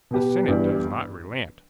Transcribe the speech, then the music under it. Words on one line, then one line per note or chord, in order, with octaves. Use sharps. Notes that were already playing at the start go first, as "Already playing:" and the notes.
The senate does not relent.
B2 B3 G4 B4
G1 G2 E3 G3